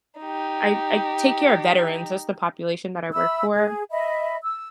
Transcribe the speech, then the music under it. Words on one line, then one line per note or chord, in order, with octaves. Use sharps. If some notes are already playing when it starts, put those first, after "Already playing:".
I I take care of veterans, that's the population that I work for,
D#4 G4
E5 B5 E6
G#4
D#5 E5 B5
E6